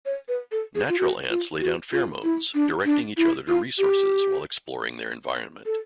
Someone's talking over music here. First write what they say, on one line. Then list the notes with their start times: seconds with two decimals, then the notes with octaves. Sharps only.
Natural ants lay down pheromones directing each other to resources while exploring their environment.
0.05 C#5
0.28 B4
0.51 A4
0.75 G#4
0.89 F4
0.99 F#4
1.30 F4
1.61 F#4
1.92 F4
2.24 E4
2.54 D4
2.85 D4
3.17 E4
3.48 F4
3.78 G4
5.66 A4